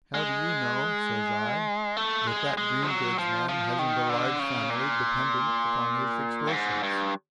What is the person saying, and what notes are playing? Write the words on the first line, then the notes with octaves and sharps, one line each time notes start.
How do you know,' says I, 'that that green goods man hasn't a large family dependent upon his extortions?
G#3
A3
G#3
G#3
F3
F#3
F3
F3
D#3
D3
C#3
A#2
G2
G#2
G2